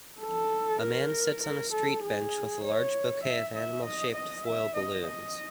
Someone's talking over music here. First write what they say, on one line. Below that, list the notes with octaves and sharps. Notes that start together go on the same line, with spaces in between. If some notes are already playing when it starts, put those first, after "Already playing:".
A man sits on a street bench with a large bouquet of animalshaped foil balloons.
A4
A#4
A#4
A4
G#4
C#5
E5
E5
D#5
D#5
E5
D#5
D#5